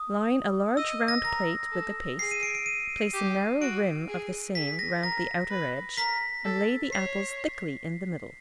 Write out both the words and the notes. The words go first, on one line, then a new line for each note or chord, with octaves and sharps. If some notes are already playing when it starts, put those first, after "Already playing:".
Line a large round plate with the paste, place a narrow rim of the same round the outer edge, and lay the apples thickly in the middle.
Already playing: D#6
D#5 E6
A#6
A#4 A#6
A4
G#4 C7
D#7
D7
D7
D#7
G4
F#4 D7
G#4
G#4 B6
A#6
A#4 A#6
B4
A#4 B6
A4
C#5 C7